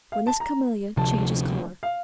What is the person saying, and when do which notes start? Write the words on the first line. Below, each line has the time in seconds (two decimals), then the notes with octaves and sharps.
"When this camellia changes colour."
0.12 F5
0.27 A5
0.40 A#5
0.97 D2 C3 F3 A5
1.83 F5